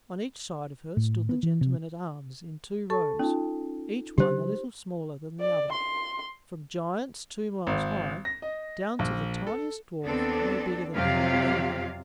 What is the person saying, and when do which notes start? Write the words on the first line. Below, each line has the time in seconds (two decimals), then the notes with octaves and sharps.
On each side of her stood the gentlemen-at-arms in two rows, each one a little smaller than the other, from giants two miles high, down to the tiniest dwarf no bigger than my little finger.
0.97 A2
1.29 B3
1.43 E3
1.61 C3
2.90 A4 A5 C#6
3.19 C#4 D#4 F4 A5
4.18 C#3 F#3 D4 G4 C5
5.40 D5
5.72 C6
7.67 G#1
8.25 A#6
8.42 D#5
8.99 A#1
9.47 A4
10.05 D#2 B3 C4 D4 A4
10.95 F2 C3 F#3 F4 G4 F5